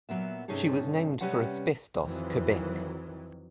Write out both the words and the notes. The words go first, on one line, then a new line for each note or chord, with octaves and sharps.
She was named for Asbestos, Quebec.
A#2 F#3 B3 E5
G2 C3 C#4 D#4 G#4 A4
C3 G3 C#4 B4 F#5
F2 D#3 E3 F#3